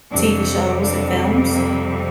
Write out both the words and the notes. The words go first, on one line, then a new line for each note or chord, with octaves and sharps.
TV shows and films.
F2 C3 G3 D4
D4
A#3